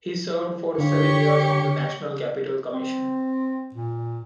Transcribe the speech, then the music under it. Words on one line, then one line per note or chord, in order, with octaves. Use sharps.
He served for seven years on the National Capital Commission.
D3 D4 G4 C#5 F5
C4
A#2